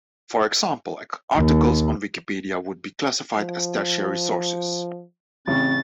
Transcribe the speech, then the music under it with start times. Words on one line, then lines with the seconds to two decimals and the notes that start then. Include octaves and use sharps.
For example, articles on Wikipedia would be classified as tertiary sources.
1.37 D#2
3.37 F3
5.47 A1 C#3 C4 A6